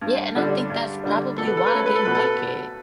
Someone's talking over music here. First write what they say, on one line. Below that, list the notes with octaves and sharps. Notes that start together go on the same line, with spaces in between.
Yeah, and I think that's probably why I didn't like it.
G2
D3 G3 D4
G2
D3 G3 D4
B2 A4
B4
A4
B4
A3 C#4 A4
B4
A4
B2 B4
A4